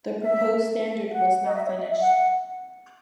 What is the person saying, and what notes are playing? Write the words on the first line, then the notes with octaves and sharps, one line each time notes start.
The proposed standard was not finished.
E5
F#5
D#5
E5
C#5
D#5
E5
F#5